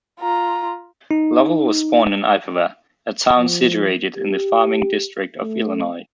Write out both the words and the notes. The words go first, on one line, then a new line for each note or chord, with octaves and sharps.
Lovell was born in Ipava, a town situated in the farming district of Illinois.
F4 A#5
D#4
F3
G4
A3